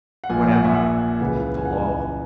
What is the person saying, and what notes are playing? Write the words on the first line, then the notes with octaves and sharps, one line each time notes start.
What am I?--the law.
F#5
A#1 A#2 G#5
F#5
E5
F#5
G#5
G#5
C#2 C#3 E3 F#5
G#5
F#5